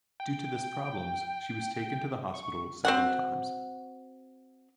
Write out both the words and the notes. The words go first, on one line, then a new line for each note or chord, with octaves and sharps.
Due to this problems, she was taken to the hospital several times.
G5
C#6
C4 F#4 F#5